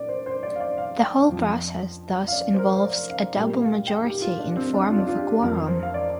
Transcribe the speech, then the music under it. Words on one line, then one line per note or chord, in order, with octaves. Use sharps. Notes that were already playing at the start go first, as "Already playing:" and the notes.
The whole process thus involves a double majority in form of a quorum.
Already playing: A#2 D5
C5
C5
D5
F5
D5
F5
G5
F2 F3
F5
D5
C5
A#4
C5
D5
F5
A#2 G3 G5
F5
G5
G4
F4
D4
C4
D4
F4
D4
F4
G4
F2 F3 A#4
C5
F5
D5